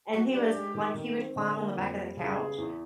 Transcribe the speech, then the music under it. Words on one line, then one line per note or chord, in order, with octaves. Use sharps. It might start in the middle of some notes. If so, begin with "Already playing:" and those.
And he was like, he would climb on the back of the couch,
F#3 F#4
D4 G4
G#3
D#3
D#3
C4
D3
A#3
F2
G3
C#3 G#4
B3
E2